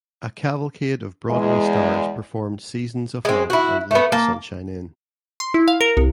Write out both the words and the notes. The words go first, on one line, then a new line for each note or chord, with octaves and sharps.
A cavalcade of Broadway stars performed "Seasons of Love" and "Let the Sunshine In".
E2 G#3
G#3 C4
E4 F#4
A3 B3
A#3 A5
C6
E4
F5
A#4
C2